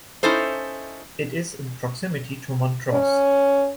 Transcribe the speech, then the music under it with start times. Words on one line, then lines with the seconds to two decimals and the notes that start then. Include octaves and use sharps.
It is in proximity to Montrose.
0.23 C#4 D#4 E4 A4 C5
2.92 C#4